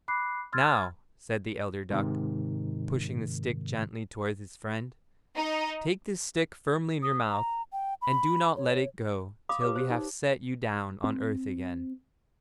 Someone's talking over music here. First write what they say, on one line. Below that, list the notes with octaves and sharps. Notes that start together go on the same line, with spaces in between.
'Now,' said the elder duck, pushing the stick gently towards his friend, 'take this stick firmly in your mouth, and do not let it go till we have set you down on earth again.'
B5 D6 F#6 C7
C6 E6 F6 G#6 A6
G#2 C3 D#3
D#4
D#6
A#5
G5
B5
C#5
F5 B5 D6 D#6
G4 B4 C#5 D6
G4 C5
D#4
C4